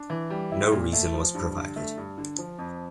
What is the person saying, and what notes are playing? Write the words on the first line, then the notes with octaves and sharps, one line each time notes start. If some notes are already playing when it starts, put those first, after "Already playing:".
No reason was provided.
Already playing: D4
E3
G3
E4
A#2
A3
F3
G2
D3
A3
G2
D3
F3
F2